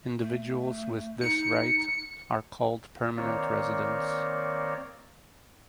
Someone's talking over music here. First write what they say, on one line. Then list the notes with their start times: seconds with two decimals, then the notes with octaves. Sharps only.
Individuals with this right are called permanent residents.
0.19 A3
1.21 D#4 C#7
3.17 D#3 A#3 C4 A#4 C#5 D5